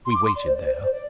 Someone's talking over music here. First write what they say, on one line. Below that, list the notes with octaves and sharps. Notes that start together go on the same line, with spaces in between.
We waited there.
C6
D6
C6
D5
C5
D5
C5
D5
C5
D5